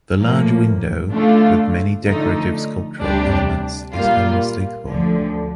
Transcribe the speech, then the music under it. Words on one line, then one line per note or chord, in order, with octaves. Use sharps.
The large window, with many decorative sculptural elements, is unmistakable.
A2 F3 A#3
D3 A3 D4 F4
D3 F3 A3 D#4
D2 C3 G3 D4 G4
A#2 G3 A#3 F4
D2 D3 F3